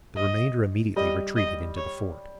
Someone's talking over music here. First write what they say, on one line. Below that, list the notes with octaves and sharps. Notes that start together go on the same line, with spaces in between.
The remainder immediately retreated into the fort.
D#5
G3 D#5
D#5
C#5